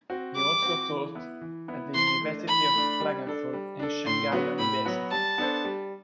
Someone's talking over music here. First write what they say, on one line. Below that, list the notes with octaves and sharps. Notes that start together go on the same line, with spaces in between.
He also taught at the University of Klagenfurt and Shanghai University.
C4 F#4
G3 D6
C4 F#4
E3
B3 E4 B4
E3
B3 E4 B4
E3 C6
A3 D4
E3 B5
A3 D4
G3
D4 A4
G3
D4 A4
A2 C6
F#3 B3 F#4 B4
A2 B5
F#3 B3 F#4 B4
G3 A5
B3 D4 A4 C5
G3